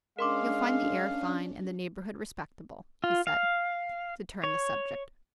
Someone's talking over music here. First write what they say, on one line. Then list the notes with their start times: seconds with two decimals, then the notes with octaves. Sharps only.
"You'll find the air fine, and the neighborhood respectable," he said, to turn the subject.
0.19 G#3 C#4 D4 A#4 F5 C6 D6
3.04 F4
3.27 F5
4.44 C#5